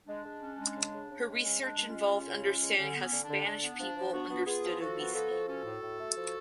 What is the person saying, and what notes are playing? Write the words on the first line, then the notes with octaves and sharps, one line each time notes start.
Her research involved understanding how Spanish people understood obesity.
G#3 D4
G#3
C#4
G#3
C#3
C#3
C#3
G#3
C#3 C#4
G#3 D4
G#3
G#3 C#4 F4
C#3
C#3
G#3
C#3
D3 C#4
B3
C#4
D3
D4
D3
D3 D4
B3
F3 D4
F3
B3 D4 F#4
B3
B3 F4 G#4
F3
F3 F#4 A4
B3
F3 F#4 A4
F3
C#4 F#4 A4
A2
A2
A3
F3